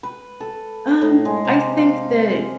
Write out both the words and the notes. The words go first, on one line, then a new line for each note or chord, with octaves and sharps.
Um, I think that
B4
A4
A2
G#3
C3
F5